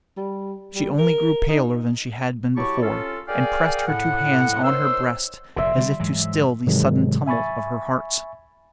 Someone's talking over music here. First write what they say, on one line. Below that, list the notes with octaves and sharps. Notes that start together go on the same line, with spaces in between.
She only grew paler than she had been before, and pressed her two hands on her breast, as if to still the sudden tumult of her heart.
G3
G3
A#4
D#4
F#3 E4 G4 A5 C#6
C#4 F4 A4
G#4 A#4 D5 F5 G5 G#5
A2 F#5
D#3 C5 C#5 C6 E6
F1 A#2 E5 C6
D3 F3 G3
G#2 E3 F#3
G#2 C3 D#3 E3 F#3 G#3
E5 G#5 B5 C#6 A6